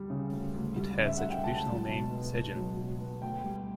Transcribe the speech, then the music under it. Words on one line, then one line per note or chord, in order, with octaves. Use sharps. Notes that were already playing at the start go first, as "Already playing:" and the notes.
It has the traditional name Segin.
Already playing: D2 G3
C#3
D2
D2
G3
C#3
E5
D2 F#5
G5
C#2 A5
F#3
B2
B3
C#2
F#3
B2
B3
D2 G5
G3